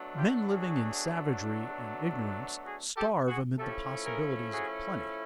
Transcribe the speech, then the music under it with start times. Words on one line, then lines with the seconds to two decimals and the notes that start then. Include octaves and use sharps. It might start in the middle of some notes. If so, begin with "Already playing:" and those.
Men living in savagery and ignorance starve amid the possibilities of plenty.
Already playing: B2 F#3 A3 D4
0.16 F4 G4
0.47 F#4 G#4
2.65 F#4 G#4
2.96 G4 A4
3.27 F#4 G#4
3.58 F3 A3 C#4 E4 G4 A4
4.05 G#4 A#4
4.51 F#4 G#4